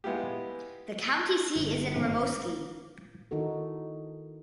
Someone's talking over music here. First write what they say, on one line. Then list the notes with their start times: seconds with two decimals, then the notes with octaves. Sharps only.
The county seat is in Rimouski.
0.04 G#3 B3 E4 F4 G4
1.56 G1
1.96 G#1
3.31 D#3 D#4 E4 F#4 A4